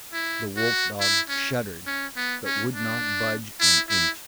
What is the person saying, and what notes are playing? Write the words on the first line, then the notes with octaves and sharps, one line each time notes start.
The wolf-dog shuddered but would not budge an inch.
E4
F#4
E4
C#4
C#4
B3
C#4
D4
E4
E4